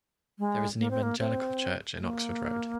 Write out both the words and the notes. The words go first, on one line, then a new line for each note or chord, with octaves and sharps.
There is an Evangelical church in Oxford Road.
G#3
A#3
C4
A#3
C4
A#3